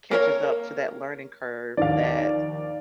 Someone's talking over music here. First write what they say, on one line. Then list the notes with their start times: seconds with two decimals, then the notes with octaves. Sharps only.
catches up to that learning curve that,
0.11 A#3 A#4 C#5
1.77 D#2 D#3 F3 D5 F5